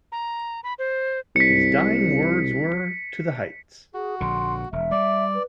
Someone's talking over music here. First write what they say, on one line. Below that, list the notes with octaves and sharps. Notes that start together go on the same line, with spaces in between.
His dying words were, To the heights!
A#5
B5
C5
C2 B6 C#7
F#4 G#4
A#1 D3 C6
E1 E5
G3 D5
B4